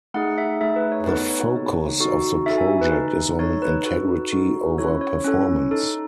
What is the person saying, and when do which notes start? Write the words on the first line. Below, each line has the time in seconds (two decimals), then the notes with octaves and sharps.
The focus of the project is on integrity over performance.
0.14 A3 D#4 G#4 F#5
0.38 E5
0.61 A3 D#4 G#4 E5
0.76 B4
0.92 C#5
1.07 B3 D#4 A4 B4
1.31 C#5
1.54 B3 D#4 A4
2.00 D#4 F#4 A4
2.46 D#4 F#4 A4 E5
2.58 G#5
2.81 B4
2.92 D#4 A4
3.39 D#4 A4 C#5
3.62 B4
3.85 D#4 F#4 A4 B4
4.32 D#4 F#4 A4
4.78 C#4 E4 A4 C#5
5.01 C#5
5.25 C#4 E4 A4
5.71 D#4 A4